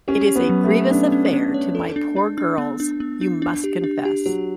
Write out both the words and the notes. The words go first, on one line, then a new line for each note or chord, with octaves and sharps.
It is a grievous affair to my poor girls, you must confess.
C#4 G4
G4
B3
F#3
A3
G4
C#4 D4
C#4
C#4
C#5
A4
D4
D4
D4
B3
D4
B3
D4
D4
G4
D4
G4
F#3 G4